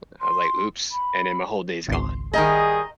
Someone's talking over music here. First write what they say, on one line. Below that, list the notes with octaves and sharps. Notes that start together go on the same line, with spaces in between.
like I was like, "Oops." And then my whole day's gone.
C6
B5
G#1 C#2 C6
D#3 G3 G#4 D#5 A#5